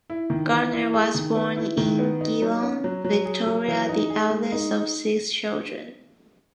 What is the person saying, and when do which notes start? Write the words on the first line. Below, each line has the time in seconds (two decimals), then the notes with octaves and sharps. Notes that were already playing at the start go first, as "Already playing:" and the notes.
Garner was born in Geelong, Victoria, the eldest of six children.
0.10 E4
0.30 D#3
0.52 E3
0.73 E4
0.94 G#4
1.15 D#3
1.35 B3
1.57 E4
1.77 D#3
1.99 B3
2.21 D#4
2.42 F#3
2.63 C#4
2.84 F#3
3.04 F#3
3.26 G#4
3.47 F#3
3.68 E3
3.89 D#4
4.10 G#4
4.30 G#3
4.52 D#4